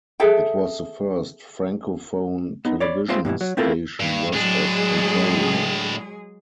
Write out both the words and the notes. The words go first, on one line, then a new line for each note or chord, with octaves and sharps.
It was the first francophone television station west of Ontario.
G#4 A4 E5 G5
B3 D#4
C#5 D5 B5
G#3 A#3 C4 F4 C5 E5
G2 B2 D3 E3
F#3
A3 C4 E4 F4 A4 A#4
G2
A2 F#3 G#3 D4 G#4